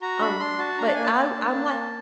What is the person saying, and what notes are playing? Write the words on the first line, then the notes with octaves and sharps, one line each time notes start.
Um, but I I'm like
F#4 A#5
D4 B5
D4 C6
F#4 A5
D4 A#5
A5
A#3 G#5
A5
A#3
D4
A#3
A#3